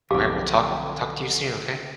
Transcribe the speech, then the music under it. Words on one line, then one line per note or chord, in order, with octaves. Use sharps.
Alright, well talk talk to you soon, okay?
B1 F2 D3 G4 F5 D6